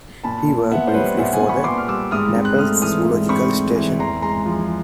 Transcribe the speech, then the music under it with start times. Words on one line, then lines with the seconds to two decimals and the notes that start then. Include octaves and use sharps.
He worked briefly for the Naples Zoological Station.
0.24 A#2 A5 B5
0.48 A#2
0.71 B3 E5 F#5
0.87 C5
0.94 G3 B4 C#5
1.17 A#2 E5 F#5
1.33 F#5 G#5
1.42 A#2
1.49 B5 C#6
1.64 B3 C6 D6
1.78 F6
1.88 G3 D6 E6
2.11 G#2 D#6 F6
2.35 C4
2.45 F#6
2.58 A3 D#6 F6
2.82 E3 D#6 F6
3.06 G#2
3.29 C4 B5 C#6
3.52 A3
3.76 E3
3.99 E2 A#5 C6
4.22 G#3 A#5 C6
4.46 F3